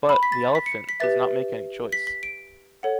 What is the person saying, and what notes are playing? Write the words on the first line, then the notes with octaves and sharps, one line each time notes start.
But, the elephant, does not make any choice.
B5
B6
A6
B6
C#7
B6
G4 B4 E5 A6
B6
B6
D7
A4 C#5 F#5